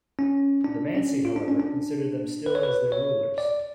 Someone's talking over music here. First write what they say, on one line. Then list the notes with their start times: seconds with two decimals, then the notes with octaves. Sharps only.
The Mansi, however, considered them still as their rulers.
0.19 C#4
0.64 D4
0.95 C#4
1.25 F4
1.36 D4
1.48 C#4
1.60 D4
2.46 B4
2.55 C#5
2.63 B4
2.92 C#5
3.38 D5